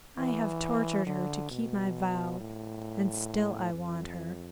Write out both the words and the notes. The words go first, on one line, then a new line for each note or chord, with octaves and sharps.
I have tortured her to keep my vow, and still I want her....
E3
D3
B2
A2
F2